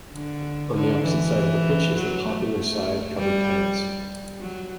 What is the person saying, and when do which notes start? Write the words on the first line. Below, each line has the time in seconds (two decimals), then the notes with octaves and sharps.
On the opposite side of the pitch is the Popular Side covered terrace.
0.12 D3
0.74 D3
1.04 E3
1.96 F#3
2.27 A3
3.18 G3
4.40 F#3